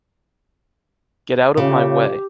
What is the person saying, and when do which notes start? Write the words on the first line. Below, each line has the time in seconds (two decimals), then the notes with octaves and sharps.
Get out of my way.
1.57 A2 C#3 C#4 F4 G4